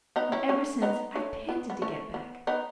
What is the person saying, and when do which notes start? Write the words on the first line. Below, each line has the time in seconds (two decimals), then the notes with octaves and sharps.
And ever since, I've panted to get back.
0.16 B3 D#4
0.32 C#4 E4
0.49 A3 C#4
0.82 B3 D#4
1.15 A3 C#4
1.49 B3
1.70 B3
1.82 A3 C#4
2.14 B3
2.47 B3 D#4